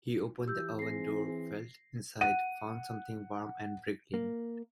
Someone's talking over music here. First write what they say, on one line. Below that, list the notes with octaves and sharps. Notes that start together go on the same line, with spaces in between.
He opened the oven door, felt inside, and found something warm and wriggling.
E3 G4 E6 G6
C4 G#4 A#6 C7
F#5 D#7
A#3